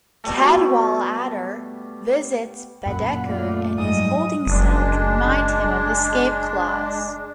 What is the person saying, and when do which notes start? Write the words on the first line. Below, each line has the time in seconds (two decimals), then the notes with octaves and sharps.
Cadwallader visits Bedeker in his holding cell to remind him of the escape clause.
0.24 B2 G3 A3
2.86 F#2 A#2 F#5 B5
3.26 A3 F4 D5
3.78 G#2 F#3 G3 D#5 D#6
4.46 F#1 G#3 D4